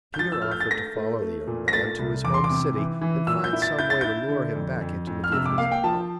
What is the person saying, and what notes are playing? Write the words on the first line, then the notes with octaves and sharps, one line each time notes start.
Peter offered to follow the young man to his home city, and find some way to lure him back into McGivney's power.
G6
F3 A6
E6
A3 F6
G6
A6
A3 A#6
A3
A3
A#2
A#6
A3 A6
C2
E2 D6
C6
D6
C3
E3
E3
A#2 E6
G6
E4
A6
E4 G6
A6
E4 G6
D3
F2
F2
F2
F6
C3 E6
D6
A#3 F5
G5
F3 A5